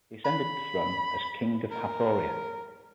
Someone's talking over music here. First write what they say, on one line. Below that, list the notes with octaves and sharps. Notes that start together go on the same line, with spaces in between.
He ascended the throne as the King of Hathoria.
B5
A#4